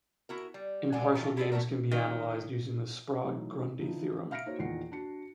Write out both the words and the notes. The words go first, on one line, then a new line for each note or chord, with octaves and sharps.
Impartial games can be analyzed using the Sprague-Grundy theorem.
E4 F#4 A#4
G3
D3 G#3 D5 F#5 G#5
D#3 E3 F4 A4
E4 F4 G#4 A4 D5
A3 B3 F#4 A#4
D#3
E3 F#3 A3 D#4 F#4
D3 E3 F3 D#4
E5 F5 F6 A#6 C#7 D7
A#3 D#4 F#4 C5 C#5
E2 A#2 D#3 F#5 C7
D4 F#4 C#7